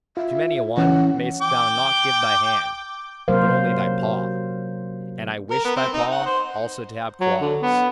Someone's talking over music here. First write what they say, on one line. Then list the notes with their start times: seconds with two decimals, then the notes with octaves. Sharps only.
To many a one mayest thou not give thy hand, but only thy paw; and I wish thy paw also to have claws.
0.17 F4 E5
0.77 E3 C#4 F#5
1.42 G5 D6
3.28 C3 F#3 A#3 A#4 C5 F5
5.51 A#4
5.64 B3
5.76 C4
5.93 D#4
6.11 F#5
6.26 C5
7.21 F#3
7.41 D3
7.62 B3